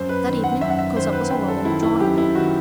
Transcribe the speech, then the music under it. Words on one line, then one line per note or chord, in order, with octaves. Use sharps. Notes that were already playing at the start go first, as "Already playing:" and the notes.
That evening, Cosette was alone in the drawing-room.
Already playing: F#2 C5
B4
D#3
F#5
F#2 E5
F#5
E5
D#3 C5
B4
F#2 G5
A4
D#3 E4
E4
F#2 G4
E4
D#3 F#4